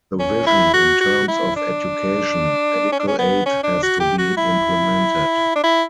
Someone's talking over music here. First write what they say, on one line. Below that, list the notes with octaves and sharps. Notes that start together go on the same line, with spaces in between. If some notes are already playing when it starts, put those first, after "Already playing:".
The vision in terms of education, medical aid has to be implemented.
C#4
E4
F#4
F#4
E4
D4
C#4
D4
C#4
B3
C#4
D4
F#4
G4
F#4
E4
D4
E4